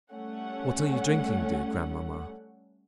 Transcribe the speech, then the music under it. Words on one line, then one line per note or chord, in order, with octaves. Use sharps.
"What are you drinking, dear grandmamma?"
G3 A3 C#4 F#5